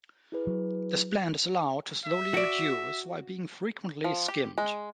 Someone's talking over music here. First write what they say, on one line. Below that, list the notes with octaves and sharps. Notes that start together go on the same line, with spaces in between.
This blend is allowed to slowly reduce while being frequently skimmed.
E4 G#4 B4
F#3
E5
F#4 D5
F3
G4
G#3